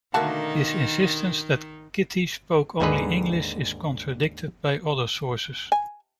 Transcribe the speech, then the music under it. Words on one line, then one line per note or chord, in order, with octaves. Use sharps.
His insistence that Kitty spoke only English is contradicted by other sources.
B2 D3 D#3 A3 A#3 D#4 F#4 A5
D#2 G#2 D3 D#4 G#4 B4
G#5